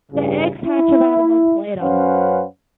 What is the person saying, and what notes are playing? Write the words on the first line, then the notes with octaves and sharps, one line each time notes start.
The eggs hatch about a month later.
A1 G2 C#3
E4
F#2 C#4 B4 C5 F5 F#5